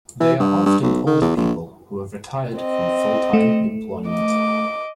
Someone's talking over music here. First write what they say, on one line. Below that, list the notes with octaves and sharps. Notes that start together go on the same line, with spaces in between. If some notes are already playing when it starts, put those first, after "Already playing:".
They are often older people who have retired from full-time employment.
E3
G2
G2
B1
D#3
E2
A#1
C4 D#5
A3
D#5 D6